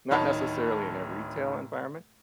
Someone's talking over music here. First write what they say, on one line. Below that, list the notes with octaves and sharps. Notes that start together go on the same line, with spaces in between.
not necessarily in a retail environment,
D1 D#3 D#4 C#5 A5 B5